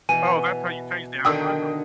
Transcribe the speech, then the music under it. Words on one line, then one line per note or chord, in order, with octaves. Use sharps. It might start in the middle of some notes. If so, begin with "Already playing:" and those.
Oh, that's how you change the algorithm?
B2 E3 G#5 D#7
D3 D#3 G5 D#6